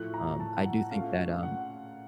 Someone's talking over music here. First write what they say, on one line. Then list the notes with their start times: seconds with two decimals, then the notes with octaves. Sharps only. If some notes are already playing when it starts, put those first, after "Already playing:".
um, I do think that, um,
Already playing: A2 F3 A3 F#6
0.14 A#5
0.40 A5
0.65 F#5
0.91 A#2 A3 C#4 F5
1.43 F#5